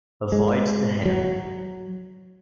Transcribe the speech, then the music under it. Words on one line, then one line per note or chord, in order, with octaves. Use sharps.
Avoid the ham.
G#3
F#3